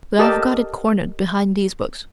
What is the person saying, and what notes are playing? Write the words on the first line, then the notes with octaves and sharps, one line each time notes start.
But I've got it cornered behind these books.
G4 A4 A#4 D5 D#5 A5